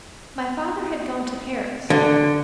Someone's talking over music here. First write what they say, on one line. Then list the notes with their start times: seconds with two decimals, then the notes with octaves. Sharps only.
My father had gone to Paris.
1.90 D3